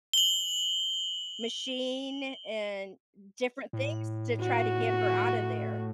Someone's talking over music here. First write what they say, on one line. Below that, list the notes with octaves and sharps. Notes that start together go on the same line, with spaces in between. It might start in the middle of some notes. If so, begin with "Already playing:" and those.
machine and different things to try to get her out of there.
F#7 G7
A2
F#4